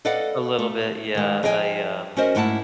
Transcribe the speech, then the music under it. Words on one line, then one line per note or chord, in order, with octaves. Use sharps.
A little bit, yeah. I, um,
A4 B4 D5 D#5 F5 F#5
A3
D#3 G#3
F3 G#4 D#5 G5 G#5
C#4 F#4 A#4 C5 D#5
G#2 A3 A#3 E4 F#5 A5